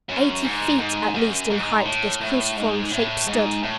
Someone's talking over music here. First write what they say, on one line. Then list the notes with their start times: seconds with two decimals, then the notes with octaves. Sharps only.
Eighty feet at least in height, this cruciform shape stood.
0.09 F#2
0.44 G#2
0.79 G#2
1.14 F#2
1.50 G#2
1.85 A2
2.21 A2
2.56 G#2
2.91 A2
3.27 G#2
3.63 A2